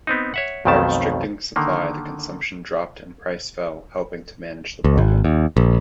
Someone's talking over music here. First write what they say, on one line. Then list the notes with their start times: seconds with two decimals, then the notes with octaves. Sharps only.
By restricting supply the consumption dropped and price fell helping to manage the problem.
0.07 B3 C4 D#4
0.34 C#5 E5 F#5
0.65 B1 F2 B2 D#3 A3 A5
1.56 D3 D#3 A#3
4.84 C#2
4.98 G#1
5.25 D#2
5.57 A#1